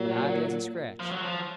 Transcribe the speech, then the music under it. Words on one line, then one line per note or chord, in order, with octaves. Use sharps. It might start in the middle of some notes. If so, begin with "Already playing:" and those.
But I dasn't scratch.
Already playing: A#2 F#3
F3
F#3
F3